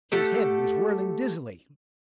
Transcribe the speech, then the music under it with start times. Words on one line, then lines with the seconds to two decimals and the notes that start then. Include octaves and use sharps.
His head was whirling dizzily.
0.12 A3 G4 A4 F#5